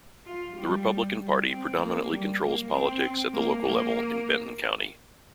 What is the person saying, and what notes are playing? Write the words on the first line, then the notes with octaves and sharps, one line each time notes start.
The Republican Party predominantly controls politics at the local level in Benton County.
F4
G3
G3
C4
A#3
G3
A#3
C4
A#3
A#3